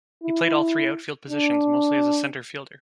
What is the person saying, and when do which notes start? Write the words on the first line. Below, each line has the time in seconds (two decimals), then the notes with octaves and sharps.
He played all three outfield positions, mostly as a center fielder.
0.24 E4
1.30 D4